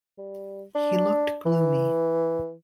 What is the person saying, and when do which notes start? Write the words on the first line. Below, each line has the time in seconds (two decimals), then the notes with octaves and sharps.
He looked gloomy.
0.18 G3
0.75 D4
1.46 E3